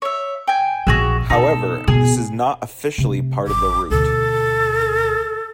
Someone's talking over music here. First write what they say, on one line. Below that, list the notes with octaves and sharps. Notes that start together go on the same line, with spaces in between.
However, this is not officially part of the route.
C#5 E5
G5 G#5
A#1 F#4 G#4 E5
B2 D#4 A4
B2 G#4
C3 A3
A1 D6
D2 B2 A4